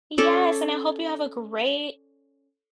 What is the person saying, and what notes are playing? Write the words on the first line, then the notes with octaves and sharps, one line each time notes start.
Yes, and I hope you have a great
C#4 A4 D5